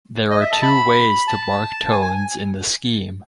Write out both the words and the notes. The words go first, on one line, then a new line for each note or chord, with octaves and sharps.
There are two ways to mark tones in the scheme.
D#5
E5
A5
B5
A5
G#5
G#5
G#5